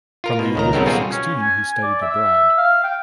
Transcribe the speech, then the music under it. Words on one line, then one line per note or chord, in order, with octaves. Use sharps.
From the age of sixteen he studied abroad.
F4 A#4 A#5
B2
C#2 D#3 A#5
C#3 F#3 B3 C4 A4 A#4
B2 G3 F4 F#4 G#4
C#4
G#5
D5
E5
F5
G5